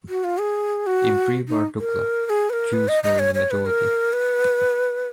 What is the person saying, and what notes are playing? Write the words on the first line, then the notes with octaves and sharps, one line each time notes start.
In prewar Dukla, Jews were in the majority.
F#4
F4
G#4
F#4
D#4
A#4
A#4
G#4
B4
A#4
B4
D#5
D#5
C#5
C#5
B4
A#4
B4